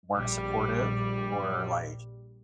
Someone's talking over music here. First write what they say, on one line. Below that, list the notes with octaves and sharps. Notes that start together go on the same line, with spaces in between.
weren't supportive, or like,
A#1 G3